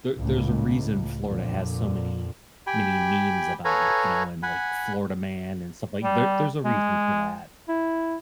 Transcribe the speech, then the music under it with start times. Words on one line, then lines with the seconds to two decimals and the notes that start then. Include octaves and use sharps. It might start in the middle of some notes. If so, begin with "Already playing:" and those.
There there's a reason Florida has so many, many memes about it, you know, and like Florida man and stuff like there there's a reason for that,
0.17 C#2 A2
1.24 F2 A#2 D3
2.67 G4 G5 G#5 B5
3.65 A4 B4 C#5 F5 G#5 A#5
4.43 F#5 G#5 B5
6.04 G3
6.65 G#3
7.68 E4